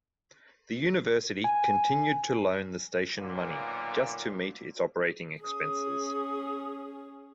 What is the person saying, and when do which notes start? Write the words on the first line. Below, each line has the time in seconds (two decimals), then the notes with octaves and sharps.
The University continued to loan the station money just to meet its operating expenses.
1.44 G#5
3.16 B1 A#2 D3 A#3
5.43 C#4 G#4 D#6